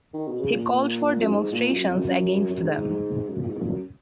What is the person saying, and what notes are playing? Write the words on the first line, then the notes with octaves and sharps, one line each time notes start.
He called for demonstrations against them.
D#3
B2
C#3
A#2
F#2
G#2
A#2
F#2
F2
F#2
F#2
F#2
G#2
G#2
G#2
F#2
A#2
G#2
A#2
F#2